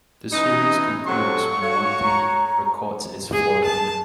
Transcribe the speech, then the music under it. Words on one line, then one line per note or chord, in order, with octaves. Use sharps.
The series concludes when one team records its fourth win.
E3 C#4 D#4 D#5
C3 F3 F#3 A4 C#6
F#4 A4 C#5 F5
A#5
G#4
A5